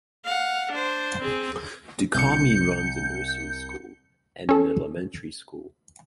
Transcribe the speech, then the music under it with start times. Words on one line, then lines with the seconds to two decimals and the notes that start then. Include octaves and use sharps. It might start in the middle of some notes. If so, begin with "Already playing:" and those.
The commune runs a nursery school and an elementary school.
0.25 F5 F#5
0.71 D4 C5
1.21 C4 G#4
2.14 C2 G6 C#7
4.49 C#4 A4